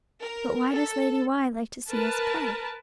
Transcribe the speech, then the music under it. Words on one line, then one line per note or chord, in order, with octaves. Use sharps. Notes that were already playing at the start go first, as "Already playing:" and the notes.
But why does Lady Why like to see us play?
A#4
A4
A#4 B4 A5